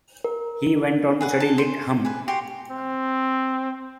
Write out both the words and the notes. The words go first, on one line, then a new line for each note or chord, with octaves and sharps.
He went on to study Lit.Hum.
A#4
G#4 B4 F#5
A5
C5
B4 G#5
F#4 G4 C6
C4